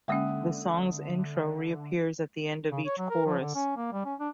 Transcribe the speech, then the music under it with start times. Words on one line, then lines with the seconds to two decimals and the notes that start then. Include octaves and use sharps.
The song's intro reappears at the end of each chorus.
0.08 D3 G#3 A#3 C#4 E5 F#5 D#6
2.72 C#3
2.86 C#5
2.98 F#3
3.10 A#4
3.26 F3
3.40 D3
3.55 C#4
3.77 A#3
3.92 G3
4.05 C#4
4.20 D4